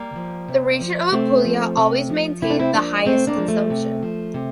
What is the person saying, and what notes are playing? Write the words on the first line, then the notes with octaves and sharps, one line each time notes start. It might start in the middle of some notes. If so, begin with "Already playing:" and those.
The region of Apulia always maintained the highest consumption.
Already playing: G3 A#3
F3
C3
F3
C3 A3 C4
F3
C3
F3
C3 E4
D4
C4 E4
F3 A#3 D4
C3 A3 C4
A#3 D4
F3
A3
C3
F3
C3